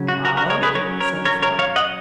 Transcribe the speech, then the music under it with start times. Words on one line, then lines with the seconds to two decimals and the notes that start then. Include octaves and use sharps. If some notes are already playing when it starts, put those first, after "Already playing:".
"Follow me," said the frog.
Already playing: C#3 F#3 C#4
0.08 F#4
0.25 F#4 A#4
0.37 F#4 A#4
0.50 A#4 C#5
0.63 G#4 B4
0.75 F#3 A#4 C#5
0.79 C#4
1.00 A#4 C#5
1.25 A#4 C#5
1.42 A#4 C#5
1.59 C#5 F5
1.76 D#5 F#5